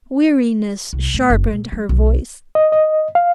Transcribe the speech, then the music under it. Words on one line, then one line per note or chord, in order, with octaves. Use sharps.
Weariness sharpened her voice.
C2
A2
F#1
A#2
G3
B1
D#5
D#5
F5